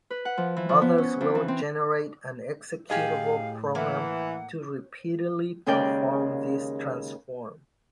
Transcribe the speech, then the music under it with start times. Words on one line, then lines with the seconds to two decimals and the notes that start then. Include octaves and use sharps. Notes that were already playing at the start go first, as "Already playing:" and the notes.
Others will generate an executable program to repeatedly perform this transform.
0.10 B4
0.25 F#5
0.37 F3
0.56 E3
0.69 F3
0.82 B3
0.98 C#4
1.21 F2
1.35 E3
1.48 C4
2.90 A2 G4 G#4 D#5 F5
3.75 E3 A#3 F#5
5.66 D#2 C#3 G#3 A#4 D5 G5